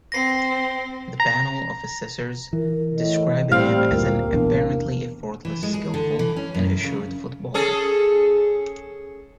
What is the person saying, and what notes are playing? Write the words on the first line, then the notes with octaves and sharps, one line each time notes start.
The panel of assessors described him as an apparently effortless, skilful and assured footballer.
C4 A#6 C7
A#5
E3 A#4
A2 D#5
A2 G3 C4 C5 F5
D2 G2 A#2 A#3 A#4
A#1 E2 D4
E3
G#3
G#4
D3
E3
C#4
F#2
C#3
C#4 G#4 A4